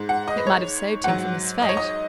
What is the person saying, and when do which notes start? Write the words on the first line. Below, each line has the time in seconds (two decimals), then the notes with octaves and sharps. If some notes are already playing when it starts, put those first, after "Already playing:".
"It might have saved him from his fate."
Already playing: G#2 G#3
0.09 F#5
0.28 D#5
0.37 B4
0.47 C#5
1.04 G#2 F#3 F#5
1.62 D#5
1.69 C#5
1.77 D#5